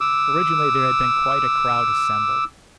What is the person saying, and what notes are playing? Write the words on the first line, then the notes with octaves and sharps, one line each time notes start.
Originally there had been quite a crowd assembled.
D6 E6